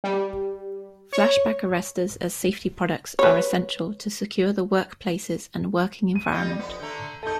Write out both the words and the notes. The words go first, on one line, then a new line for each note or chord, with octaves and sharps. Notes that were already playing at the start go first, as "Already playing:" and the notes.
Flashback arrestors as safety products are essential to secure the workplaces and working environment.
G3
C#5
B4 C#5
D#7
G3 D#4 F4
F2 B3
D3 A3 A#5 G6
A3 D#4 A4 A5 G6